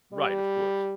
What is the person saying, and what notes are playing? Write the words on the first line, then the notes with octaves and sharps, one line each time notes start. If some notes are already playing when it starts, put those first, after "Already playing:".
Right, of course.
G3